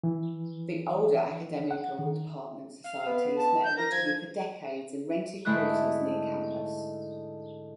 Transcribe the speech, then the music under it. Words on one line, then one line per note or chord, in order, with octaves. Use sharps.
The older Academical Department societies met originally for decades in rented quarters near campus.
E3
F#5
D#3
F5
B3
A5
G6
A#4 A#6
F3 G#6
G#2 D3 A3 E4 D#6 F#6